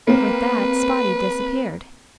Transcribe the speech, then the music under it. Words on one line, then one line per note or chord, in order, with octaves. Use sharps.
With that Spotty disappeared.
A#3 C4 B4